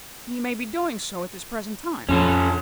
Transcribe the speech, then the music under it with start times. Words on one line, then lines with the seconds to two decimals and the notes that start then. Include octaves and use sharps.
'He may be doing so at this present time.'
2.09 F2 C#4 A4